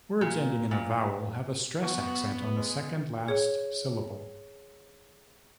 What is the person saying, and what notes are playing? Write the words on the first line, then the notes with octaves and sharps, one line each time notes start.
Words ending in a vowel have a stress accent on the second-last syllable.
A#2
A#2
B3 F#4
G#3
G#4 C#5